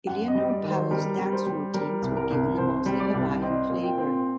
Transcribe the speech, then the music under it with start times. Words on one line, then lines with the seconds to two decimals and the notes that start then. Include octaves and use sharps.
Eleanor Powell's dance routines were given a mostly Hawaiian flavor.
0.07 F#2 F#5
0.28 D#5
0.35 G3
0.49 D5
0.63 D#3
0.70 C5
0.91 G3 A#4
1.19 G3
1.32 C5
1.47 G3
1.74 G3 A#4
2.02 C2
2.17 A#4
2.30 C2
2.58 C2 C5
2.86 G3
3.00 D5
3.14 C2
3.42 C4 D#5
3.70 A#2
3.84 G5
3.98 C4